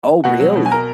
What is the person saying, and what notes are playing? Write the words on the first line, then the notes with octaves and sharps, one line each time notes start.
Oh, really?
B2 F#4 F#5
F#3
B2
G#5
A#4 A#5